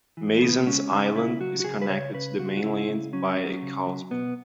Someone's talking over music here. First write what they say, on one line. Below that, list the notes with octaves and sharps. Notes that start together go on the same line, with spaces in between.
Mason's Island is connected to the mainland by a causeway.
E3
C#3 B3
G#3 C#4
C#3
C#3 E4
F#3 F#4
F#4
C#3 G#4
B4
C#3 C#5
C#3 B4
C#3 F#4
F#4
C#3 E4
C#3
F#3 C#4
F#3
C#3
F#3
B2 B3